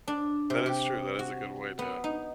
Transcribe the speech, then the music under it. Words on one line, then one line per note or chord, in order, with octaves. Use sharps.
That is true. That is a good way to
D4
C3
G4
F#4
B3
D#4